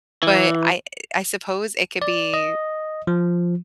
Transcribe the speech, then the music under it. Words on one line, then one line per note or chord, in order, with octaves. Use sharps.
But I I suppose it could be
E3
D5
D#5
F3